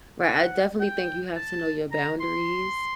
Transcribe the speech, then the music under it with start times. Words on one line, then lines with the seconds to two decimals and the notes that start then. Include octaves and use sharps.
Right, I definitely think you have to know your boundaries,
0.23 F#5
0.80 G5
1.36 A5
1.92 A#5
2.20 C6